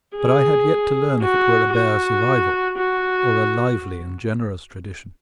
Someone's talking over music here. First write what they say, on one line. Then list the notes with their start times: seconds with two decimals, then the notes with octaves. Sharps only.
But I had yet to learn if it were a bare survival, or a lively and generous tradition.
0.17 G#4
1.21 F#4
1.73 F#4
2.78 F#4